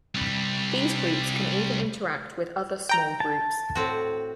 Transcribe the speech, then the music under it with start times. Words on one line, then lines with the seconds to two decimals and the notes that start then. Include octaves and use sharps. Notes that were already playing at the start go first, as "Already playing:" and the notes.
These groups can even interact with other small groups.
0.15 C2 G3
2.89 G5 A#5
3.20 A5
3.75 A2 C4 F#4